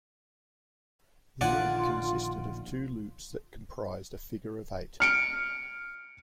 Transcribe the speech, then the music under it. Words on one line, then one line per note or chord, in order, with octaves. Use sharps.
The route consisted of two loops that comprised a figure of eight.
A#1 D3 D#3 F4 D5 F#5 G#5
F6 C#7 D7